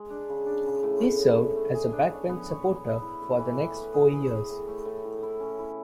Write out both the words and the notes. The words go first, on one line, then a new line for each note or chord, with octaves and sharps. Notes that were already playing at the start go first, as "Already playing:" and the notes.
He served as a backbench supporter for the next four years.
Already playing: G#3
D4
C#3
D4
C#3
A2
A2
B3
A2
A3
G#4
D4
C#5
B3
C#5
C#5
B3
E4
A3
E3
A2
B4
G#4
G#4
B4
A2
A3
A2
A2
E4
C#4
E4